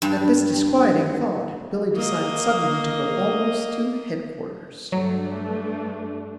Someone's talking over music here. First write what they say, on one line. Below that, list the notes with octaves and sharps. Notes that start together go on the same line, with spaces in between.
At this disquieting thought Billy decided, suddenly, to go almost to headquarters.
G2
A#3 D#5
G2 F#3 A3 D4